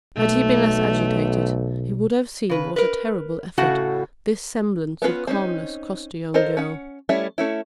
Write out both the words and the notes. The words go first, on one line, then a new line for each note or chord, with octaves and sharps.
Had he been less agitated, he would have seen what a terrible effort this semblance of calmness cost the young girl.
B1 B2 A3
C#3 B4
A#4 B4
A2 C#3 F#4 A4 F#5
B3 C#4 F4 B4
C4 C#4 D#4
F4 A4 A#4 C5 D#5
C#4 F#5
G3 A3 C#4 E4 E5
A3 C#4 E4